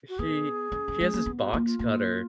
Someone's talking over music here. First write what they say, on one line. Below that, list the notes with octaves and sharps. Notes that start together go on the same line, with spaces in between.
she she has this box cutter
F#4
B3 G#4
C#4
F#3
G#3
A#3
B3
F#4
A#3 F4
F4
A#3